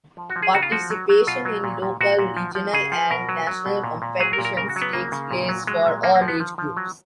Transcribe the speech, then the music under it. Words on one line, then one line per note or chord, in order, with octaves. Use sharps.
Participation in local, regional and national competitions takes place for all age groups.
F3
F#4
F3
G#4
C#3 F#4
F4
F3 F#4
F#3
F#3
B2 F4
F#3
A#2
A#2
A#2 F#4
A#2
F3
F3
C#3 G#4
F3
B2 A#4
F#3
F#3
B2
A#2
A#2
F#3 G#4
A#4
A#2
A#4
C#3 A#4
F#4
F#3
B3
C#3 A#3
C#3
A#2
F#3
F#3 G#3
A#2
F3 A#3
A#3
F3
B3
F3
F3
F#3